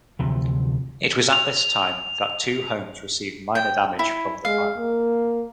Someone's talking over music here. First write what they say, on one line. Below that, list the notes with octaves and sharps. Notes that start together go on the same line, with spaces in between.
It was at this time that two homes received minor damage from the fire.
D2 C3 E3 F3
F7
G5
E4
G#3 F5
A#3